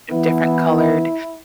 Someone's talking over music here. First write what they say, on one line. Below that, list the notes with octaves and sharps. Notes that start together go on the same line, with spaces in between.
of different colored
E3 B3 E4